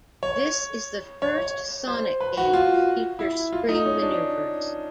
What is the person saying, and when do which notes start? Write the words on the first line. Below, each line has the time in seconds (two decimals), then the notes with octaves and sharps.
This is the first "Sonic" game to feature spring maneuvers.
0.23 C#5
1.22 C#5
1.38 C#5
1.88 C5
2.21 B4
2.37 F#4
2.53 F4
3.19 E4
3.53 F4
3.69 D#4
3.86 C#4
4.02 D4